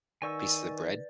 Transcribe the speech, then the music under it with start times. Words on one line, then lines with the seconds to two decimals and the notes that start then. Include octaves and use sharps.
pieces of bread?
0.22 D#3 B4 D5 G#5 C#6 E6 A6